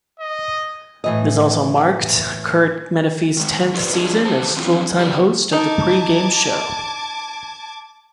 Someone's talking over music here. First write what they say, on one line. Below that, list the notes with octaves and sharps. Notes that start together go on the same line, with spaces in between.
This also marked Curt Menefee's tenth season as full-time host of the pregame show.
D#5
A2 E3 D#5
D#3 G#3
F4 G4 B4 C5 D5
F#3 D4 F4 G#4 D#5
A2 D#3 A4 C5 A5
D3 E3 F#3 C4 F4
B2 F#3 G4 B4 C5 D5
D#4 A5 D6 G#6